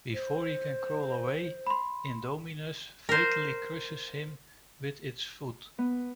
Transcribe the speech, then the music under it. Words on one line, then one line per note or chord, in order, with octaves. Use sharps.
Before he can crawl away, "Indominus" fatally crushes him with its foot.
C5
B5 C6
A#4 C5
B3